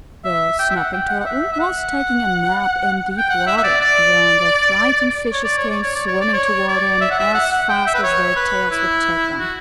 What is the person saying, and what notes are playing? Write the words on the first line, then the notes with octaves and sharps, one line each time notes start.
The Snapping Turtle was taking a nap in deep water, when the frightened fishes came swimming toward him as fast as their tails would take them.
E5
G5
E5
F#5
G5
F#5
F#5
E5
E5
F#5
G5
F#5
E5
E5
D5
D5
C#5
D5
C#5
D5
C#5
D5
C#5
D5
C#5
D5
E5
F#5
E5
F#5
F#5
G5
E5
B4
C#5
B4
E4
F#4